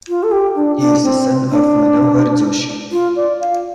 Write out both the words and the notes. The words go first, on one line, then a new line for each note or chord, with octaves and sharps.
He is the son of Manohar Joshi.
F4
A4
G4
D4
D4
C4
D4
F4
D5
F5